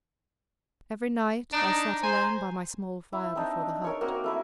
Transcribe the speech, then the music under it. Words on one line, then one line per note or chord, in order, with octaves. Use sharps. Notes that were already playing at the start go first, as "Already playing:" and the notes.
Every night I sat alone by my small fire before the hut.
D4 D#4 A#5
C5 G#5
E4
C4 D4 D#4 A5
A#4 C#5
A#3 C4 F#4 A#4
A3 E4 A#4